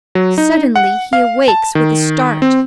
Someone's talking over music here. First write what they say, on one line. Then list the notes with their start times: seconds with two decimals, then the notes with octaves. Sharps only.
Suddenly he awakes with a start.
0.15 F#3
0.38 D#4
0.76 F#5
1.13 F5
1.48 A5
1.75 D#3
2.42 C4